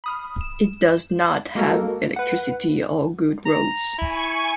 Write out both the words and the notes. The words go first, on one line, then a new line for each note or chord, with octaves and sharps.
It does not have electricity or good roads.
B5 D#6 F6
E7
G#3 A#3 F#4 A4 A#4
B4 F#5
A#5
E4 G#5 C#6